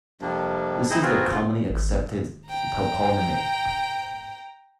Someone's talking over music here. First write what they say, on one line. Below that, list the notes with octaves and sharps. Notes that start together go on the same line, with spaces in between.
This is the commonly accepted toponymy.
F2 C3 F3 G3 A#3 D4
C4 D#4 E4 G#4 C5 D#5
B3 C4 F4 F#4 G#4 A#4
D3 F4
G#1
G5 A#5